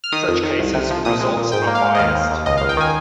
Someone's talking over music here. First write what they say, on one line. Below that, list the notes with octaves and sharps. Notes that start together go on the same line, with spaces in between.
In such cases results are biased.
F6
D#3 D#6
F2
D#3
C2
C3
F3
A#2 D#6
G#3
A#2
G#2 G5
A#3
F5
G#2
D#5
D#2 F5
D#2
D#2
C#2 D#5
C#2 F5
G5
D#3 G#5